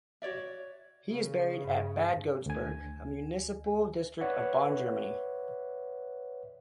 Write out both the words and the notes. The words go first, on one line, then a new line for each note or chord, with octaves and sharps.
He is buried at Bad Godesberg, a municipal district of Bonn, Germany.
F#4 C#5 D5 E5
C#3
G2
D2 G#5
B4 C#5 D5 E5 F#5 F#6